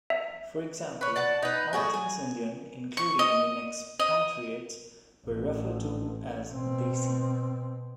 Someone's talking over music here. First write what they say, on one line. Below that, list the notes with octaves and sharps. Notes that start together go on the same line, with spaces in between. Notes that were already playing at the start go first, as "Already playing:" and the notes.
For example, all things Indian including Indian expatriates were referred to as "desi".
E5
B4 C#5
D5 F#5 A5
D#4 B4
A2 F#4 G#4
G#5
C#6
D#5
D#5
A1
B2 C4